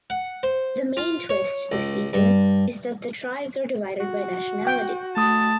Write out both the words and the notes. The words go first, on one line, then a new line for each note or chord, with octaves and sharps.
The main twist this season is that the tribes are divided by nationality.
F#5
C5
F4
C#5
C#2
G2
F#4
G5
A3 A5 D#6